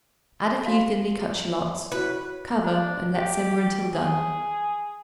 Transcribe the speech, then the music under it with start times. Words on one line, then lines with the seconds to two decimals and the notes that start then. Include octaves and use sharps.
Add a few thinly cut shallots. Cover and let simmer until done.
0.66 F#4 F5 B5
1.92 E4 F#4 B4 C#5
2.62 D4
3.15 G4
3.94 G#4